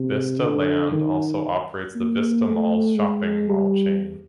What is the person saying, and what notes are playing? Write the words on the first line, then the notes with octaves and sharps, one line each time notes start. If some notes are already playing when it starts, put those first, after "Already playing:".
Vista Land also operates the Vista Malls shopping mall chain.
Already playing: C3
D3
D#3
A#3
A3
G#3
G3